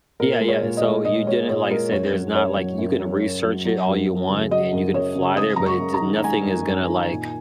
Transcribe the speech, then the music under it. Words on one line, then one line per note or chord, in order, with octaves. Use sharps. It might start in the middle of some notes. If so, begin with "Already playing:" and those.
Yeah, yeah, so you didn't like I said, there's not like, you can research it all you want and you can fly there, but it d nothing is gonna, like,
A#2 A#4
G#3
C#5
A#2
D#5
G#3
A#2 D#5
G#3 C#5
A#2 C#5
G#3 A#4
F#2 C#5
F#3
F#2 C#5
F#3
F#2
F#3
F#2
F#3
F#3
F#2
F#2
C#3
F#3 D#5
F#2
F#2 C#5
C#3
G#3 D#6
F#2 A#5
C#6
F#2
A#5
D#3
G#3 G#5
F#2
F#2
D#3
A#2